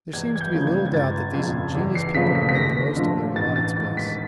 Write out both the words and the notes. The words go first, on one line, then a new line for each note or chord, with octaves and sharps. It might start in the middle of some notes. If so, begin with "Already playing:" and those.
There seems to be little doubt that these ingenious people will make the most of their allotted space.
E2 G#6
G#6
G6
C#3 F3 G#3
G#6
G#6
G1 A6
F2 C#3 G#6
E2
C7
C#3 F3 A3 B6
B6
B6
D#2 A#6
D3 F3 A3
A1 A6
A6
G#2 D#3 A6
B6